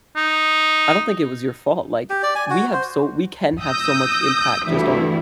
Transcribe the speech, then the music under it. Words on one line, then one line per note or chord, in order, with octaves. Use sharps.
I don't think it was your fault, like, we have so we can have so much impact just on
D#4
G4
D5
G#5
F#4
C5
D#6 E6 G6 A#6
D2 G2 E3 E4